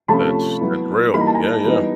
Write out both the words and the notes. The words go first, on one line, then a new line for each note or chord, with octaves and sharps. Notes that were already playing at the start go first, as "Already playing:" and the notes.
That's that's real. Yeah, yeah.
C3 F3 A3 C#4 F4 A5 B5
F#3 B3 E4
E3 G3 A#3 D#4 B5
A#5
A5
G#5 A#5
E3 G3 B3 D#4